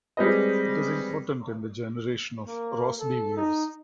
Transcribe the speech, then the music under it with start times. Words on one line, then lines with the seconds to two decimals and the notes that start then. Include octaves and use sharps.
It is important in the generation of Rossby waves.
0.17 G3 G#3 C4 B4 D#5
2.47 A#3
3.00 A4
3.37 D#4